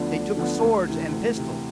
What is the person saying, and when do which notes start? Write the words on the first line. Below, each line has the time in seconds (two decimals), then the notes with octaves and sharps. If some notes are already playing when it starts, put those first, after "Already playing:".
They took swords and pistols.
Already playing: D2 D3 F3 B3 D4
0.11 D2
0.37 D3 F3 B3 D4
0.62 D2
0.87 C3 E3
1.12 D2
1.37 C3 E3